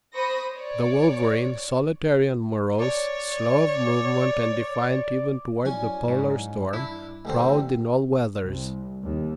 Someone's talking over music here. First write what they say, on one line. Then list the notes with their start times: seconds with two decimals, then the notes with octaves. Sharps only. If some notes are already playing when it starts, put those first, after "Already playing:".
The wolverine, solitary and morose, slow of movement, and defiant even toward the Polar storm, prowled in all weathers.
0.14 C5 B5 C#6 D#6 A#6
0.54 C#5 D5
2.80 C#5 D5 D6
5.65 F#3 C#4 E4 D5 G#5
6.08 G#2
6.73 G2 D4 E4
7.25 A1 D3 C4
8.43 C2
9.03 D#2